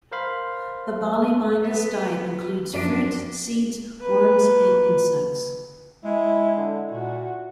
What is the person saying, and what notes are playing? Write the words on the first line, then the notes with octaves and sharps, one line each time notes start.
The Bali myna's diet includes fruit, seeds, worms and insects.
A#4 C5 F5 B5 C6
B3
F#2 F3 D4 D5 D7
A#3 B4
G#3 E4
D3
A#2 F#4